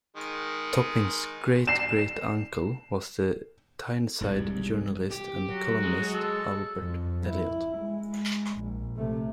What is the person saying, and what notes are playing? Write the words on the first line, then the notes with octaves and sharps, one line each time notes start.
Topping's great-great-uncle was the Tyneside journalist and columnist Albert Elliott.
D#3 G#3
C7 E7
E1 C2 G#2 G3
G4
F#3 F#4
G#3
A4
F2
E4
G#3
A#1
C3 A3